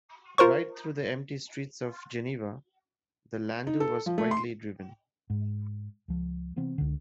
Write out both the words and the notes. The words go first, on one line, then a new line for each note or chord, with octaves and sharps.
Right through the empty streets of Geneva the landau was quietly driven.
F4 A#4 C5 C#6
D#4
A4
F3
A3
C6
G#2
C#2 F3
C3 E3 B3 C4
C#2 D3